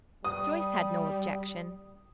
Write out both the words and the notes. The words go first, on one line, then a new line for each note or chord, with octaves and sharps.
Joyce had no objection.
G3 D#6